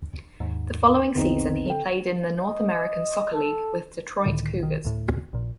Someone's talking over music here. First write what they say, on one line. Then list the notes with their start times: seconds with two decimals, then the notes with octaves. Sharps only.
The following season he played in the North American Soccer League with Detroit Cougars.
0.40 D#2 G#2
1.15 A#1 E2 D3 B3 C4 D#4
1.66 A4 G5
2.43 D#5
3.33 A4
4.25 C#2 A2 D3 D#3
4.60 B1 D#3
4.85 D2 A2
5.33 A#1 A#2